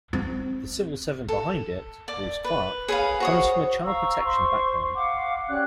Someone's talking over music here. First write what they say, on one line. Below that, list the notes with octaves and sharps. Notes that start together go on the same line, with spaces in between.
The civil servant behind it, Bruce Clark, comes from a child protection background.
C4
A4
D5 D6
B4
G#4 B4 C#5 F5
F#4 C5 C#5 D#6
F5 A#5 C#6 E6
C5 C6 C#6
F5 F#5 D6
C#4 G4 D5 F#6